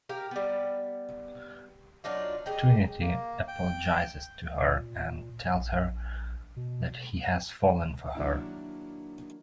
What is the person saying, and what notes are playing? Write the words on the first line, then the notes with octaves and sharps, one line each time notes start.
Trinity apologizes to her, and tells her that he has fallen for her.
G4 A#4 F5
G3 B3
F#3 D4 D#4 F4
D#4 G4 G#4
A#3
G5
A#2
A#1
B2
D#3 F#3 A#3 D4 E4